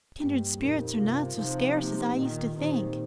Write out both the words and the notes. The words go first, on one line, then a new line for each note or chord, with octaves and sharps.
Kindred spirits are not so scarce as I used to think.
G2 G3 A#3 G4
F2 A#2 D#4 G4 A#4
G2 C3 F4 A#4 F5
C3 F3 D#4 C5 F5
A#3 D#4 G4
A#2 D#3 F4 D#5
A#2 D#3 C4 D#4 G4 C5